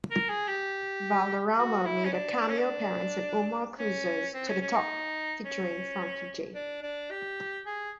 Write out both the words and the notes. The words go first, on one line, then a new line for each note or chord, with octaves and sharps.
Valderrama made a cameo appearance in Omar Cruz's "To The Top" featuring Frankie J.
A#4
G#4
G4
F#4
E4
C#4
D4
D4
C#4
D4
C#4
C4
C#4
C#4
D#4
C#4
D4
D4
G4
G#4